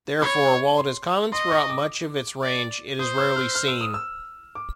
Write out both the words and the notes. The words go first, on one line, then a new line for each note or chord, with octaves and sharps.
Therefore, while it is common throughout much of its range, it is rarely seen.
C#5 B5
C6
D#5 C6
C#6
D6
D5
C5 D#6
E6
F6
F6
E6
D#6
E6
D6